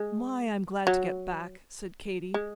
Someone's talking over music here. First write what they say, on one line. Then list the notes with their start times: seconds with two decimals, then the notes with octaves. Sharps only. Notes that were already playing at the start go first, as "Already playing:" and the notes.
"My! I'm glad to get back," said Katy.
Already playing: G#3
0.87 F#3
2.34 G#3